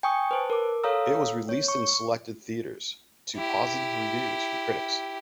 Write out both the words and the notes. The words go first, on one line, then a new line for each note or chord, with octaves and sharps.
It was released in selected theaters, to positive reviews from critics.
G5 G#5 C#6 D#6
B4 C5 A5
A#4 D6
A4 C#5 F5 A#5 D#6 E6
C#5
C#6
E4 G4